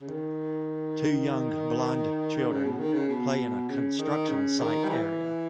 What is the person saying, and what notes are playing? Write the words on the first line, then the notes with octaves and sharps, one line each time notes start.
Two young blond children play in a construction site area.
C#3
D#3
C#3
B2
C#3
D#3
C#3
B2
C#3
D#3
C#3
D#3
G3
E3